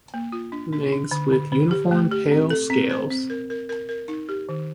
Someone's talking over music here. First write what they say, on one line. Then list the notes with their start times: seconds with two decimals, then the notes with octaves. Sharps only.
Legs with uniform pale scales.
0.14 A#3
0.32 F4
0.52 D4
0.72 D4
0.92 D4
1.11 D3
1.32 D3
1.52 D3
1.71 G4
1.91 A3
2.12 G4
2.31 C4
2.50 A4
2.70 C4
2.91 C5
3.11 C4
3.30 A#4
3.50 A#4
3.69 A#4
3.89 A#4
4.08 D#4
4.29 G4
4.49 D#3